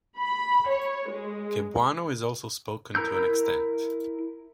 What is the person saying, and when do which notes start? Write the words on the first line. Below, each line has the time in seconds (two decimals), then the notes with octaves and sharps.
Cebuano is also spoken to an extent.
0.18 B5
0.69 C#5
1.10 G#3
2.95 E4 A#4 A#5 E6 G6